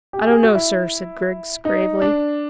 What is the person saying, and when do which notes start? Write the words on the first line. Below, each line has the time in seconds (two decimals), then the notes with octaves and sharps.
"I don't know, sir," said Griggs gravely.
0.13 G4
0.19 G#4
0.27 G4
0.31 G#4
0.43 F#4
0.55 E4
1.65 D#4
2.02 D4